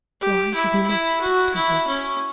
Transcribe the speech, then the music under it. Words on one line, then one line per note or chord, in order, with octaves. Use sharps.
Why did he not speak to her?
G4
E4
E4
F#4
E4
C#4